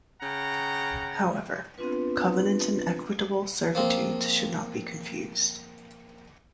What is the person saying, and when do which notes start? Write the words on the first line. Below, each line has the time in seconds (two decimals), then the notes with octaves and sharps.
However, covenants and equitable servitudes should not be confused.
0.22 C#3 F#5 G5 A#5
1.78 B3 C4 D4 F4 B4
3.75 F3 A#3 C4